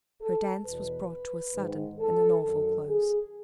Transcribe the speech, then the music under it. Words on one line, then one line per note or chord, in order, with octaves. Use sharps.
Her dance was brought to a sudden and an awful close.
A4
E2 B2 B4
G#2 D#3
A4
F#2 D#3 A4
G#4